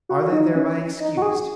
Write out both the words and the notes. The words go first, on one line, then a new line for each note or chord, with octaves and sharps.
Are they thereby excused?
F#4
D#4
C#4
D#4
F#4
G#4